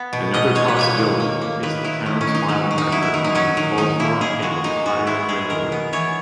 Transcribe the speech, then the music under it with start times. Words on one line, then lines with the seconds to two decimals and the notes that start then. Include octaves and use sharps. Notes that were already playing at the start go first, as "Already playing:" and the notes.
Another possibility is the town's mile marker on the Baltimore and Ohio Railroad.
Already playing: B3
0.13 B2
0.34 B2 D#5
0.55 G#3 C#5
0.68 B4
0.77 A#3 C#5
0.99 D#3
1.20 A#3
1.41 A#3
1.63 D#3 B4
1.84 D#3 E4
2.06 D#3
2.21 C#4
2.27 D#3
2.35 D#4
2.49 F#3 D#4
2.71 D#3
2.78 D#4
2.92 F#3 E4
3.02 E4
3.14 D#3
3.25 D#4
3.35 F#3 C#4
3.57 D#3
3.78 D#3 D#4
3.99 A#3 E4
4.21 D#3 G#4
4.42 G#3 F#4
4.64 D#3 D#4
4.86 B3 F#4
5.07 G#3 E4
5.29 G#3 G#4
5.50 D#3 A#4
5.72 B3
5.93 E3 C#5